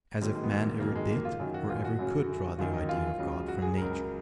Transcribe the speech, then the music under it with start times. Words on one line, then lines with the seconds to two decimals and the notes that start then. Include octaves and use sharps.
As if man ever did or ever could draw the idea of God from nature!
0.21 G#2 D#3 F#3 A#3
0.35 G#3
0.43 B3
0.51 A#3
0.80 F2 D#3 F#3 A#3
0.95 G#3
1.10 A#3
1.25 F4
1.40 F#2 D#3 F#3
1.54 F#4
1.70 F4
1.85 F#4
1.99 F#2 C#3 F#3
2.58 F#2 D#3 F#3 F4
2.74 D#4
2.89 F4
3.18 C#2 C#3 F#3
3.48 F#4
3.62 G#4
3.77 C#2 C#3 F#3 A#4